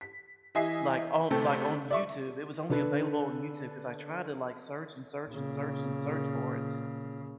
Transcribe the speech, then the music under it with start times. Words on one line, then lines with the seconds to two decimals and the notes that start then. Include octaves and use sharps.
like, on, like, on YouTube. It was only available on YouTube, 'cause I tried to, like, search, and search, and search, and search for it,
0.01 B6
0.55 E3 D#5 E5 G#5 B6 C7
1.31 C3 A3 G4 A4
1.91 D5 E5 C#6
2.70 D3 D4 A4 B4
5.27 A#2 C#3